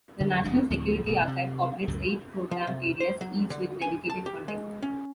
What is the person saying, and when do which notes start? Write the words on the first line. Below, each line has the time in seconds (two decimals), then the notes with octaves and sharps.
The National Security Archive operates eight program areas, each with dedicated funding.
0.20 D3
0.44 F#1 F2 G#3 D4
0.70 D2 A2 F3 C4
1.05 D1 G1 B2
1.27 C3
1.88 C#2 F#2 A2
2.51 F3
2.67 C3
3.00 C5
3.21 F#3
3.50 D3
3.82 G#5
4.10 A5
4.26 G4
4.48 G#3
4.82 C#4